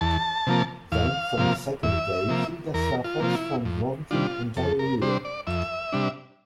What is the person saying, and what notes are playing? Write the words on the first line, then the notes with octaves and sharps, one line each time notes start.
Then, from the second day, Hilda suffers from vomiting and diarrhoea.
E2 A5
C3 F3 A#3
E2 F5
C3 F3 A#3
E2 E5
C3 F3 A#3
E2 A#4
F4
C3 F3 A#3 F4
E4
F2
C3 G3 D4 F4
F2 A4
A#4
C3 G3 D4 C5
D5
F2 E5
C3 G3 D4